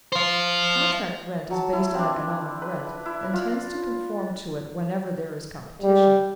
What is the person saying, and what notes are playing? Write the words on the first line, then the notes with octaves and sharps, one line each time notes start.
Contract rent is based on economic rent and tends to conform to it whenever there is competition.
C5 F5
F#3 A5
E4
C4 D4
B4
E4
F4
G3